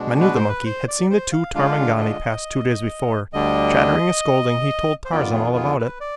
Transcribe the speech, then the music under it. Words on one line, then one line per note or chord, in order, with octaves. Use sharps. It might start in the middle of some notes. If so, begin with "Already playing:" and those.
Manu, the monkey, had seen the two Tarmangani pass two days before. Chattering and scolding, he told Tarzan all about it.
Already playing: B2 G#3 D4
B4
C5
B4
C5
D5
C5
F5
D3 G#3 D4 F4 F5
D#5
D2 D3 G3 D4 D#5
C5
F2 D#3 B3 F4 D5
G#4
G#4
B4
D5